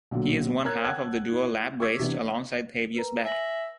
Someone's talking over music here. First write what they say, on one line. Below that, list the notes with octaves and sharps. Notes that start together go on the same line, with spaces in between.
He is one half of the duo Lab Waste alongside Thavius Beck.
B1 A#2 D3 F#3
A#4 C#5 A#5 E6 F#6 G#6
F#5 G5 A5 E6 F#6 G#6
E4
C#6 D6 E6 G#6 B6
C3 E3 B3 D4
A#4 B4 A#5
E5 G#5 A#6 F#7